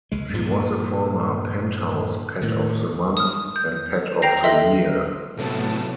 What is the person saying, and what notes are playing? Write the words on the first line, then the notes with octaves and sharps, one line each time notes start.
She was a former "Penthouse" Pet of the Month and Pet of the Year.
C#2 G#3
G2 A#2 E3 F3
A2 D#3
D#6 F6
G6
G5 A#5 G6 A#6 C7
A4 D#5 E5 C6
A2 C3 F#3 A3 B3 A5